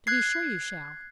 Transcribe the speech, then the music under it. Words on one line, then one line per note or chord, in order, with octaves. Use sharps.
"To be sure you shall."
F#6 G#6 C7